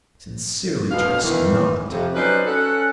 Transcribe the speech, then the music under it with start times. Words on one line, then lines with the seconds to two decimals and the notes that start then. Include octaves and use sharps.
"I sincerely trust not."
0.91 D2 B2 F5
1.23 E2 D#3 E3
1.90 F2 C3
2.15 F#3 C#4 D#4 B4 C5 D5
2.46 C#4 A4 F#5